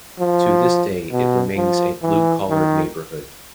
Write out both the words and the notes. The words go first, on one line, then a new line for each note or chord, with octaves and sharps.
To this day it remains a blue collar neighborhood.
F3
B2
F3
E3
D#3